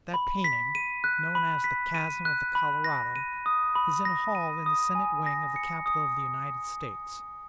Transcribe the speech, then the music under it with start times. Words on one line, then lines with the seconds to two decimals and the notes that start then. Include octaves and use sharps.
That painting, known as "The Chasm of the Colorado," is in a hall in the Senate wing of the Capitol of the United States.
0.14 B5
0.44 B6
0.75 D#7
1.04 F#6
1.35 B5
1.64 B6
1.95 D#7
2.25 F#6
2.55 B5
2.84 A#6
3.16 D#7
3.46 D#6
3.75 B5
4.05 A#6
4.35 D#7
4.66 D#6
4.95 G#5
5.26 A#6
5.56 C#7
5.86 D#6